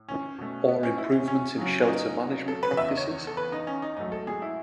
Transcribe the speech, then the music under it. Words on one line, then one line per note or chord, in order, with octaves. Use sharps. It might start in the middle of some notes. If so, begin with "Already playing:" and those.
Or improvement in shelter management practices?
Already playing: A2
C#4
B2 A3
B3
C#4
E4
C#4
C#4
F#2 C#3 F#3
C#4
D#4
A4
B4
E2 C#3 E3 E5
D#5
C#5
A4
B4
D#4
C#4
D#4
G#2 F#3 A3 D#4
A4
G#4
E4